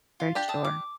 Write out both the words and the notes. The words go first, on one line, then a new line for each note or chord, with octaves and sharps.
For sure.
F4
D4 G4 G5
E5 A5 D#6
D6